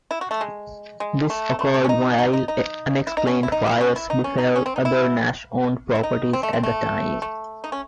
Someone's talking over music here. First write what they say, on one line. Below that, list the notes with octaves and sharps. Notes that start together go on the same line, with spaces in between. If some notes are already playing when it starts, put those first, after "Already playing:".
This occurred while unexplained fires befell other Nash-owned properties at the time.
E4
F#4
A3
G#3
G#3
A3
A3
A3
C#4
D#4
D#4
D#4
D#4
E4
D#4
C#4
E4
D#4
E4
C#4
E4
D#4
C#4
D#4
C#4
C4
D#4
E4
E4
D#4
C4
A3
C4
A3
A3
D#4
C#4